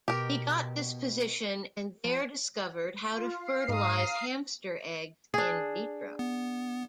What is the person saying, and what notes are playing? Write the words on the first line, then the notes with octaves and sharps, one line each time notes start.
He got this position and there discovered how to fertilize hamster eggs in vitro.
B2 G4 A#4
F3
F4
F5 C7
G#2 A#5 D#6
D4 G#4
B3